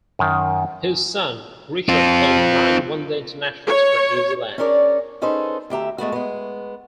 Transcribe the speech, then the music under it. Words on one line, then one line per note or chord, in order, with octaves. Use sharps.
His son Richard played nine one-day internationals for New Zealand.
F#2 D#3
C4 F4
C#5
C#4 D4 G#4 A#4 C#5 D5
C#4 D#4 G#4 A4 B4 C5
D2 G4 E5 A#5
G#3 A3 B3 F#4
G#3 B3